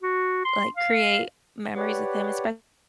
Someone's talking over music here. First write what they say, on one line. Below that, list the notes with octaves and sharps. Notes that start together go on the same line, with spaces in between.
like create memories with him, espe
F#4
C6
F5
G4 B4 C#5 D5 F#5